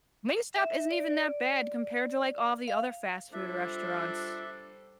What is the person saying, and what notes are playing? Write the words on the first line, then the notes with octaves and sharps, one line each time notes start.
Wingstop isn't even that bad compared to, like, all the other fast food restaurants.
E5
D5
F5
G3 D4 F4 A4 C5 E5